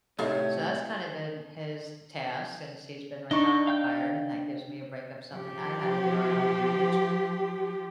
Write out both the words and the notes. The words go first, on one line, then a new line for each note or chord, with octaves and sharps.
so that's kind of been his task since he's been retired, and that gives me a break of something I've had to do our whole marriage,
A2 C3 A3 D#4 A4 C#5 F5
D4 D#4 D#5 C#6
F5 G5 G6
F3 G4